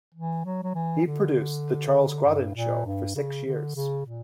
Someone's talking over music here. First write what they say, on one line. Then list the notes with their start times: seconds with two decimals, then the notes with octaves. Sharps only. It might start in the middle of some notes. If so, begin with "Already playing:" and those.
He produced the "Charles Grodin Show" for six years.
0.15 E3
0.45 F#3
0.63 F#3
0.75 E3
1.05 D3
2.25 G2
2.55 A#2
2.86 G2
3.15 C#3
3.46 D3
3.75 C#3
4.05 A#2